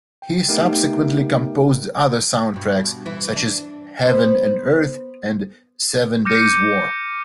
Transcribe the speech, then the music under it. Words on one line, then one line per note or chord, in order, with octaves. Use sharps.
He subsequently composed other soundtracks such as "Heaven and Earth" and "Seven Days War".
G5
A3 B3 D#4 G4 A#4 G5
G2 B2
E3 E4
D4
B3 C5
D6 F6 G6 A#6 C#7 D#7